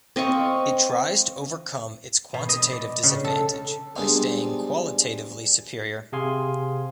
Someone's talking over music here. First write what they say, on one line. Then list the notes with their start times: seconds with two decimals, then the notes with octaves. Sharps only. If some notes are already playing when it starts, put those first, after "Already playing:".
It tries to overcome its quantitative disadvantage by staying qualitatively superior.
0.16 C4 D#5 F5 C#6
2.34 B2
2.49 D#5
2.72 D5
3.03 C#3
3.24 A4
3.96 G3 G#3 B3 C4 D4 D#4
6.12 C3 G#4 F5 G#5 C6